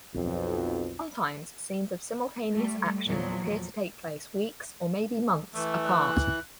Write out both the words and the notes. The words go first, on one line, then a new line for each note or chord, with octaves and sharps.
Sometimes scenes of simultaneous action appear to take place weeks or maybe months apart.
B1 F2
G3 A3
E2 A#2 F3 F#3
E3 A3
F#6